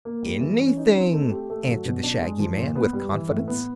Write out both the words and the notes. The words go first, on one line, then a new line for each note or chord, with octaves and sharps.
"Anything," answered the shaggy man, with confidence.
A#3
G3
E3
C#4
D#4
C4
A3
G4
A3
F#3
B2
D4
G#3
F3
A#2
B3
G3
E3
A2
B3